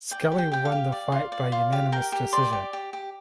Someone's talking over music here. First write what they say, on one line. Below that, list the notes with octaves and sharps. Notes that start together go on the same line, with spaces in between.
Skelly won the fight by unanimous decision.
D5 G5
G4
G5
G4 G5
F5
G4
D5
F4
D5
F4
G4 F5
A#4 G5
G4
D5 C6
G4
G4
G4